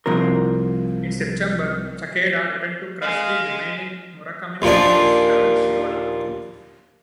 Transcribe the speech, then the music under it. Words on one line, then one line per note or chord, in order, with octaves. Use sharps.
In September, Takeda returned to crush the remaining Murakami forces around Shioda.
C2 F3 C4 A#4
G#3 D#5 F5
D#2 A#2 F3 D4